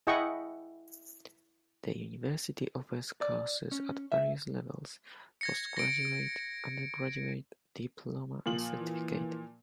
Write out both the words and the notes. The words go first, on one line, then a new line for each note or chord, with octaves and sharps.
The University offers courses at various levels: Postgraduate, Undergraduate, Diploma and Certificate.
E4 G#4 D#5 F#5 G5 C#6
D5
C#4
E5
G#6 A#6 C#7
A#6 D7
A#2 F3 F#7
E3